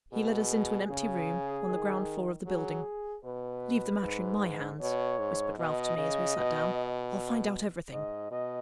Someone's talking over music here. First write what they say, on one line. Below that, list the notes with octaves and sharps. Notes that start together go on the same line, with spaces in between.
He led us into an empty room, on the ground-floor of the building. "Leave the matter in my hands," whispered Ralph to me, as we sat down. "I'll find out everything."
B2 G#4
C#3
D#3
F#3 G#4
B2 B4
G#2
B2 C#5
G#2
B2 D#5
C#3
B2
G#2 D#5
B2 D#5